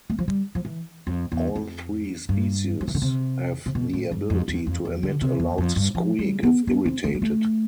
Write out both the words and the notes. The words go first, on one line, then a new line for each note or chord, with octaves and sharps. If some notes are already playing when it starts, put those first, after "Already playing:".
All three species have the ability to emit a loud squeak if irritated.
A3
F3
G3
F3
E3
F2
E2
F2
G2
F3
E3
D3
C3
C3
B2
A2
G2
F2
E2
F2
E2
D3
C3
E2
F2
G2
F3
G3
B3
B3
C4
A3
G3
A3